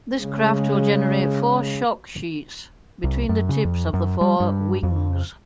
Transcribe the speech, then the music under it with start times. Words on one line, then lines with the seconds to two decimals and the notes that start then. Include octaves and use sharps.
This craft will generate four shock sheets, between the tips of the four "wings".
0.20 C#3 G#3
3.04 C2
3.29 F#2
3.49 C#3
3.65 F2
3.94 F#2
4.21 G3
4.40 G2
4.83 F2